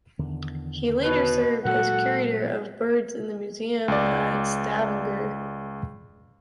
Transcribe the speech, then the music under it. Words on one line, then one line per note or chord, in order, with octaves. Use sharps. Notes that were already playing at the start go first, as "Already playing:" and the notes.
He later served as curator of birds in the museum at Stavanger.
E2 D3 D#3
B2 B4
A#2 F#3 G#3 F#4 A4 F#5
C#2 D5